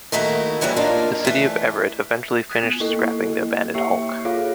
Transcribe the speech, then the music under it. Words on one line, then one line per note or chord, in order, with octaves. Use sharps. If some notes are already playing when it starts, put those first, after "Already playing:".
The city of Everett eventually finished scrapping the abandoned hulk.
D#3 A3 A#3 E4 F#4
G#2 E3 F#3 G3 A#3
A#3 D4 D#4 F4
E3 A3
D#6 F#6 G#6 B6
B3
A#3 E4 A4 D#5
A#3 G4 E5 C#6 C7
F4 G#4 A4 C#5 F5